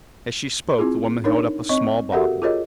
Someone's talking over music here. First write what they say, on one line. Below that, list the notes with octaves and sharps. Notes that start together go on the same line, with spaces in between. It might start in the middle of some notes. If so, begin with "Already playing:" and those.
As she spoke the woman held up a small bottle.
C4 E4 F4 G#4
D4 D#4 A#4 C#5
C4 C#5 D#5 C#6
F#4 G4 A4 A#4 E5 F#5
F4 G#4 A#4 C#5 D#5